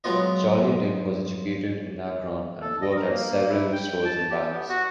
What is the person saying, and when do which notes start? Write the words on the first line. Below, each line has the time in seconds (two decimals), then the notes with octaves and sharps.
"Charley" Dick was educated in Akron, and worked at several stores and banks.
0.04 F#3 G#3 B3 F4 D#5
2.61 A4
2.82 D#5
2.96 A#4
3.09 A#3
3.28 A#3
3.49 E4
3.73 G5
4.05 A5
4.30 G4
4.53 B3
4.69 F#4